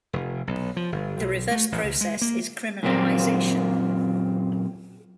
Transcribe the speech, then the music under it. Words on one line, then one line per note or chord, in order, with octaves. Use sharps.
The reverse process is criminalization.
F1
B1
F3
G1
B1
A3
A1
C#2
G#3
A#3
F#2 A#2 A#3 C4